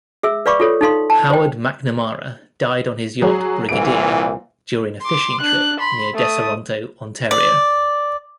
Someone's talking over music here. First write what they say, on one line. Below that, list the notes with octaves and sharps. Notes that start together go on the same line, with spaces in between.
Howard McNamara died on his yacht "Brigadier" during a fishing trip near Deseronto, Ontario.
G#4 E5 E6
B4 D5 F5 B5 C#6 D6
F4 A4 C#5
D#4 A4 F5 C6
A5
C5 G5
F#3 F#4 G#4
C2 A#2 E3 D7
C6 D6
D4 F#6
B5 C6
A3 D#6
D5